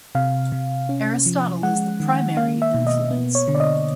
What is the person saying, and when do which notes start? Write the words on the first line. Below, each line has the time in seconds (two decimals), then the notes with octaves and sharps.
Aristotle is the primary influence.
0.15 C3 F5
0.52 C3
0.89 C#4
1.26 F3
1.63 G#3 F#5
2.00 D#3
2.37 A#3 F5
2.62 E5
2.74 B2
2.87 D#5
3.11 B3
3.35 C#5
3.48 D3
3.55 D5
3.60 D#5